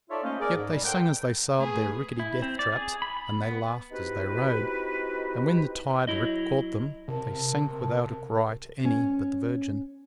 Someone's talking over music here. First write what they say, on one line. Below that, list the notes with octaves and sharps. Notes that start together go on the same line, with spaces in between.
Yet they sang as they sailed their rickety death-traps, and they laughed as they rowed; and when the tide-rip caught them, they sank without a cry to any but the Virgin.
D#4 F4 A4 C#5 D5 E5
A3 A#3 C#4 C5 D#5 F5
G#4 A#4 D5
G#2
G3
A4 A#4 C5 F#5 G5
A3 G#4 B4
E4
C4
D5
G#4
B5
B5
B3
C4 D#4 E4 F#4 G4 B4
F#3 E4 D#5
C3 A#4 A5
C#4